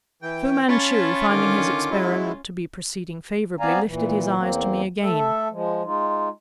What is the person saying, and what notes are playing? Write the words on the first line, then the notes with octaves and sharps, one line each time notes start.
Fu-Manchu, finding his experiment to be proceeding favorably, lifted his eyes to me again.
E3 G5
C#4 F4 C#5 A5 B5
D3 D#3 D6
F#3 G#3 E4
B3 C4 D5 F5 G#5 A#5
A#2 E3
E2 A#3 C4
A3 A4 E5
F3 G#3
G#3 D#4 F4